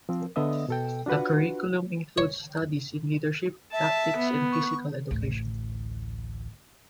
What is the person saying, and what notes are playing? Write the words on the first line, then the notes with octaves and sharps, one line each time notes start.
The curriculum includes studies in leadership, tactics and physical education.
F3 C4
D3 B3 D#5 E5 D#6
B2 A4 G5
D4 F4 F#4 B4 F#5
C#5
E5 A5
B3
C#6
A1 D2